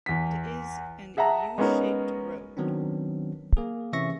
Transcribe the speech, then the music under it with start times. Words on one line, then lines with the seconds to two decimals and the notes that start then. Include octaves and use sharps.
It is an U-shaped road.
0.06 E2 B6
1.17 G#4 E5 F#5 A5 A#5
1.58 G#3 B3 C#4 D#4 A#4
2.57 D#3 F#3 B3 C4 D4
3.57 A#3 G#4
3.93 C3 E3 C#4 E5 C#6 A#6